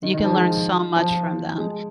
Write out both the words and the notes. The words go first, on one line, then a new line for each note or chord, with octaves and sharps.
You can learn so much from them,
D#3
D#3
F3
G#3
F3
G#3